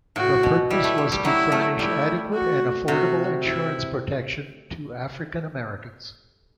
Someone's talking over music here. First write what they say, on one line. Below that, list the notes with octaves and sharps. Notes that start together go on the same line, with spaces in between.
The purpose was to furnish adequate and affordable insurance protection to African-Americans.
A2 F#4
B2
G3 E4
A3
G3
G3
F#3 E4
A3
G3 E4
F#4
C3 F#4
E4